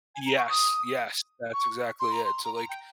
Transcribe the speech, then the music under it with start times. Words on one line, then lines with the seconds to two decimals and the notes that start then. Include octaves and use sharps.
Yes, yes, that's exactly it. So, like,
0.15 G#5
0.26 A#5
0.37 C#6
0.50 D#6
1.53 C#6
2.00 C6
2.12 A#5
2.24 C6
2.45 A#5
2.56 A#5
2.69 G5